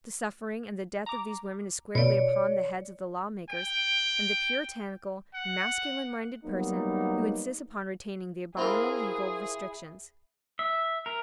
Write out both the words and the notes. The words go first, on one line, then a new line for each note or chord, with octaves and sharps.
The suffering and the death of these women is squarely upon the heads of the lawmakers and the puritanical, masculine-minded person who insist upon retaining the abominable legal restrictions.
A#5 D6
B2 C#5 D5
G5
F#5
F#3 G3 A#3 B3 D#4
C4 E4 F4 G#4 A#4 B5
E5
A#4